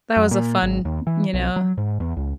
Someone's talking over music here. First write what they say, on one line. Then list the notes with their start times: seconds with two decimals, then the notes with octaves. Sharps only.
that was a fun, you know,
0.17 F#2
0.31 A#2
0.62 G#1
0.85 D#2
1.07 E3
1.34 B1
1.56 F#3
1.78 G#2
2.00 E2
2.17 C#2